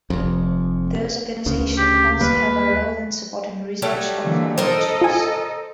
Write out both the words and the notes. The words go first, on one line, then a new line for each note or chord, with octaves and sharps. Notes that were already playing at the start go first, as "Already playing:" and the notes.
Those organization also have a role in supporting research on foundations.
F1 F2
D2 C#3
G4
D#2 G3 A#3 B4
F#3 G3 A3
D3 E3 A#3
A4 A#4 C5 D#5
F4 G#5